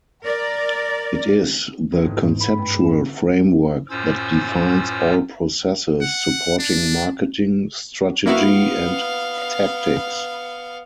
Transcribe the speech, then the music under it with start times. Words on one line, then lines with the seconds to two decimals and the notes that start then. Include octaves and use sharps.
It is the conceptual framework that defines all processes supporting marketing strategy and tactics.
0.24 A#4 D5
1.92 A1
2.05 G#2
2.22 G#2
2.40 B5
2.58 G2
2.81 E7
3.90 F#2 A2 C#4 F4 C5 E6
6.01 F#5
6.58 D4
8.26 A#3 B3 E4 F#4 F5